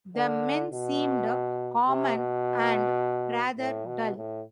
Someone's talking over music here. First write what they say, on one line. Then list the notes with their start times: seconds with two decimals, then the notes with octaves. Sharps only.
The men seemed common and rather dull.
0.16 D3
0.72 B2
1.88 C3
2.16 B2
3.59 A2
3.87 B2
4.16 A2